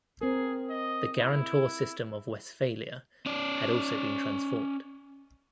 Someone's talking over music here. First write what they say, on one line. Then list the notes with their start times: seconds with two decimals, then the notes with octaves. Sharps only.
The guarantor system of Westphalia had also been transformed.
0.21 C4 G#4 A#4
0.70 D#5
1.19 E4
3.26 C#4 D5